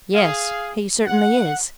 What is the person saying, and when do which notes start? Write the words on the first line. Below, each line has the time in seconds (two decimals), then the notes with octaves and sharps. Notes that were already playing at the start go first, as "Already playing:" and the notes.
"Yes, he certainly is."
0.15 G#4 F5
1.06 F#5